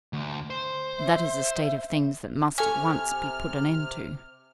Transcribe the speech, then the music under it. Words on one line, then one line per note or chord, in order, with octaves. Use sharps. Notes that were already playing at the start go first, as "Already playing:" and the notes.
That is a state of things that must at once be put an end to!
D2
C5
E5
C3 A4 G#5 C#6 F6